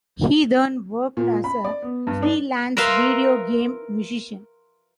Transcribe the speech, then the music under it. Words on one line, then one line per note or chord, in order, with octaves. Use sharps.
He then worked as a freelance video game musician.
A#2
B5
D5
B3
G2
D4
A#4 B4 E5 F5 C6